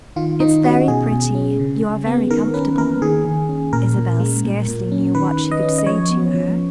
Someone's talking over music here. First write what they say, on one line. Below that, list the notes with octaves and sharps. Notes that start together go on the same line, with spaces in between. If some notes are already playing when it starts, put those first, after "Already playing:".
"It's very pretty; you're very comfortable." Isabel scarcely knew what she could say to her.
D#3 F4
D#3 D#4
C#4 F#4
B2 G#4
B2
C#4
C#3
C#3
B3
D#3 A#4
C#4 B4
A#3 A#4
D#3 G#4
D#3
C#4
A#2 A#4
A#2
G#3
A#2
A#2
C#4
D#3 B4
D#3
D#5
C#4
D#5
F3 C#5
B3
F3